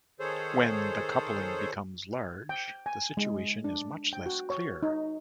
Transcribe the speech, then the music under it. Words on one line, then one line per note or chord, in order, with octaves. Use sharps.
When the coupling becomes large, the situation is much less clear.
D#3 G#4 A4 C5 C#5
G5
G#5
G#3
D4
G5
F#4
C#5
D#4